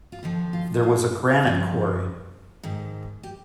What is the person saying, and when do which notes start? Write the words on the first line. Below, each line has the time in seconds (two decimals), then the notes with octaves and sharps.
There was a granite quarry.
0.12 F4
0.23 D#2 D3 F3 D#4
0.53 F4
0.74 D#4
0.83 F4
1.43 G2 F3 F4
2.63 G#2 D#3
3.23 G4